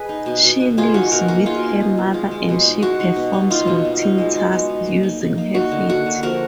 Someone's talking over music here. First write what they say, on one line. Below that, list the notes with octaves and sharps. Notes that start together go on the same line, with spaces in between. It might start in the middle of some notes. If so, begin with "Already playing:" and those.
She lives with her mother and she performs routine tasks using her feet.
Already playing: G#4 B4 D#5
D#4
B2
B2
B2
B2 F4 G#4
D#4 F#4
B2 F#4 A#4
A#3 F#4 A#4
D#4 F4 G#4
D#4
B2
B2
G#3 F4
G#3
B2
D#4
G#3 F#4
D#4
B2
D#4
D#4 F4
B2
B3
D#4
G#3
G#3
B3
D#4
A#3
D#4
D#4
A#3
D#4 F#4
D3
A#3 F#4
D3
F3 F#4 A#4